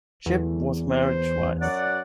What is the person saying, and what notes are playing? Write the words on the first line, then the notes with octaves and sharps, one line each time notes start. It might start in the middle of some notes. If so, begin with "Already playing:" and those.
Chipp was married twice.
E2 A3
C5
F#2 F#3 D5 F#5